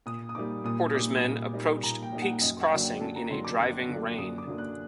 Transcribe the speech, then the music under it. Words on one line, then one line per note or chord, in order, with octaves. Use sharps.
Porter's men approached Peake's Crossing in a driving rain.
A#2 D#6
D#6
G3 A#3 D#4 D6
A#2 D#6
G3 A#3 D#4 D6
A#2
G3 A#3 D#4
A#2 A#5
G5
G3 A#3 D#4
F#5
F#2 D#5
F#5
D3 F#3 A#3 D4
G5
F#2 A5
A#5
D3 F#3 A#3 D4 C6
D6
F#2 F#6
D3 F#3 A#3 D4
F#2 D#6
D6
D3 F#3 A#3 D4
F#6